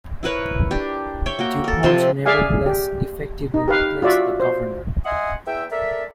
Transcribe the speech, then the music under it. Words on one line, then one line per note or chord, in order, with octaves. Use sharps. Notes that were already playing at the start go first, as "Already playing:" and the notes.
Dupont nevertheless effectively replaced the Governor.
E4 A#4 B4 C#5
D4 G4
C#5 E5 G5
A#3 F#4 G5
A4 A#4
C3 F3 A5 C6
G#4 D5 E5 F5 G#5
G4
D#4
G4 B4 F5
F4 F#4 D5 E5
C5
D#5 E5 F#5 G#5 C6 D#6
E2 E5 G5
A4 A#4 D5 E5